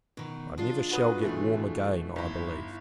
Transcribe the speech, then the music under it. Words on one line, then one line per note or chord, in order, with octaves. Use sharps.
I never shall get warm again, I believe.
B2 D#3
G#3 D4 F4
F#4 B4 D#6
B2 E3 A3
G1 D#4 E4